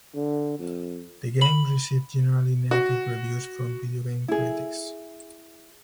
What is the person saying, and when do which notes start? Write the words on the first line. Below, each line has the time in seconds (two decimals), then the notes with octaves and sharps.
The game received generally negative reviews from video game critics.
0.15 D3
0.59 F2
1.42 B5
2.71 F#4
4.28 E4 G#4